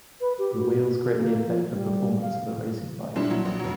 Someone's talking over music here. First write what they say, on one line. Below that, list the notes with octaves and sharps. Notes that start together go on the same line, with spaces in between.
The wheels greatly affect the performance of a racing bike.
B4
G4
F#4
F#4
A#3
F3
G3
F5
A#2 E3 G3 D4 E4
F#3 E4
A#1
F1 F#3